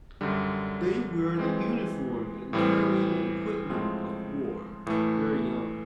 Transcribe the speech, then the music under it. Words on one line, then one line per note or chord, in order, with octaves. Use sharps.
They wear the uniform and carry the equipment of war; they are young.
F#2 D3 G3
E3 G#3 C4
A2 E3 G3 C4
A2 F3 G#3 C4 F4
A2 E3 A3